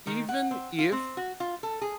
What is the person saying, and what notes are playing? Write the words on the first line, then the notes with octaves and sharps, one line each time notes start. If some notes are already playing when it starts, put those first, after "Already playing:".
even if
D#3
F#5
C4
F4
C4
F#4
F4
A4
G#4